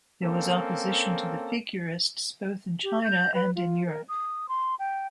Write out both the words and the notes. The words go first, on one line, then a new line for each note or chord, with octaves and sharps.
There was opposition to the Figurists both in China and in Europe.
A#3 C4 C#4 A4
G4
G6
B4
F4
A#4
D#6
C6
G5